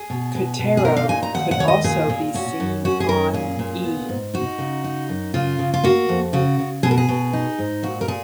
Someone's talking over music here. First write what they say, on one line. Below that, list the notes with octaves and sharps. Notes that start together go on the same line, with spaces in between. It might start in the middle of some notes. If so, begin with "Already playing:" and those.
Kotero could also be seen on E!
Already playing: G#4
B2
B2
B2
G#4
D#4 A#4
F5
A#2 G#5
A#5
D#2 F#5
F#5
D#2 C#5
D#5
A#2 G#4
A#2
C#4 F#4
F#2
C#4 F#4
G#4
F#2 A#4
A#2 G#4
A#2
B3
G#2
D#4 F#4
C#3
D#4
F#2
C#3 F4
C#3
F4
A#3 F#4
F2
C#3 F#4
C#3
B2 G#4
A#4
G#4
B2
D#4
G#2
A#2 F#4
A#4
A#2 G#4